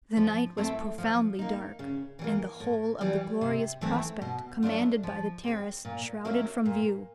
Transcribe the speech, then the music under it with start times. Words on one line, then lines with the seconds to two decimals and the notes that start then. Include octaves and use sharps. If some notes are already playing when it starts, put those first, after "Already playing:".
The night was profoundly dark, and the whole of the glorious prospect commanded by the terrace shrouded from view.
0.17 F3
0.57 A3 C4 E4 A4
0.98 F3
1.39 A#3 D#4
1.79 C#3
2.19 E3 G3 A#3
2.60 A2
3.01 E3 G3
3.41 C3
3.81 E3 A3 C4 D#4
4.22 B2
4.63 F#3 A3 D4 F4
5.03 F3
5.43 G#3 C4
5.85 A#2
6.25 F#3 A#3 C#4 E4
6.66 A#2